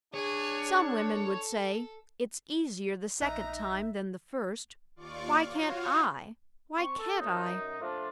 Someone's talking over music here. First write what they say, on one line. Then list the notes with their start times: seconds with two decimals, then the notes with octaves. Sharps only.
Some women would say, 'It's easier the second time than the first.' Why can't I? why can't I?
0.14 D4 G#4 C#5
0.96 A4
3.21 A#1 D#4 E5 A#5 F#6
4.96 D#2 F4 D5 C#6 D6
5.46 F4 F#4 C#5 F5
6.78 C4 C#6
6.99 A4
7.19 F#2 D#4
7.81 F3 A3 D4 F4